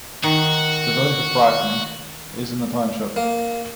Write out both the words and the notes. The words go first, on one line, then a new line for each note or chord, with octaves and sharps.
The village of Brackney is in the township.
D#3 F#4
A#3